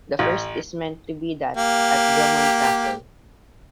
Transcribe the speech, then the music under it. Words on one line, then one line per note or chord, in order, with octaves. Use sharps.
The first is meant to be that at Drummond Castle.
A1
A#3 G4